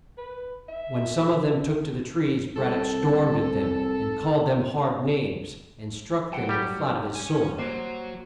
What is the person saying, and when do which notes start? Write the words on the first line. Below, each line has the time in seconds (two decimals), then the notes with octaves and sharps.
When some of them took to the trees, Brad-dock stormed at them, and called them hard names, and struck them with the flat of his sword.
0.17 B4
0.69 E5
2.56 C2 A4
6.32 F#3 F#5 G5
6.49 G3 G4
7.15 C#5 G#5
7.58 A#3 F#4 C5 C#5